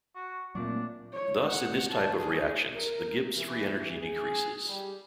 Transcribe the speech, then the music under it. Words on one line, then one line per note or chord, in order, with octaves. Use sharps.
Thus in this type of reactions the Gibbs free energy decreases.
F#4
A#2 F#3 A3 C4 D4
C#5
F#5
A5
G#4
A#4
E3
G#4
G3